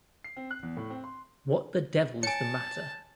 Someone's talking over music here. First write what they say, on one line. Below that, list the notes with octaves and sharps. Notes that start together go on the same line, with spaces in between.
What the devil's the matter?
C7
C4
F#6
E2
A2
C4
C6
C#5 G#5 A5 C#7 D7